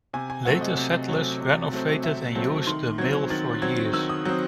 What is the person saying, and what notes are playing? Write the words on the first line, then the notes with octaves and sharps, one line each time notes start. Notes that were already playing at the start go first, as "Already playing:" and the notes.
Later settlers renovated and used the mill for years.
C3 G#5
G#5
F#3 A3 C4 F#5
D#5
C3
F#3 A3 C4
C3
F#3 A3 C4
C3 E5
F#3 A3 C4 A5
D#3 C6
F#3 C4 G#6
D#3 A6
F#3 C4 G#6
D#3 E6
D#6
F#3 C4